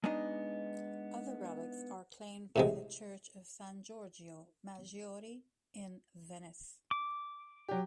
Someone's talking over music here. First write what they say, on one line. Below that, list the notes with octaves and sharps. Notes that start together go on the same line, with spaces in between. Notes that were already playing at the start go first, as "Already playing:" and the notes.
Other relics are claimed by the Church of San Giorgio Maggiore in Venice.
G#3 B3 D4 D#4 D#5
A2 C3 G#3
D6
F#3 G4